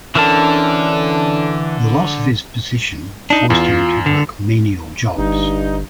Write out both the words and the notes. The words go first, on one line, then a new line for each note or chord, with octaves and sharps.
The loss of his position forced him to work menial jobs.
D3 E3 C#4 D4 A4 A#4 A5
D4 D#4
E2 F4
D3
G1 G2 D#4